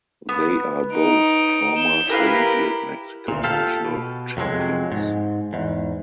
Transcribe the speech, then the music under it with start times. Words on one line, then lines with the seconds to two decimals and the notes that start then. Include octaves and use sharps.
They are both former collegiate Mexican national champions.
0.29 B3
0.93 D#4 D7
1.77 G6 E7
2.09 E4 G4 A#4 B4 F5
3.28 D2 A#2
3.44 F4 G4 A4 F5
3.85 B2
4.37 F2 C3 F#3 G#3
4.92 G#2
5.53 E2 G#2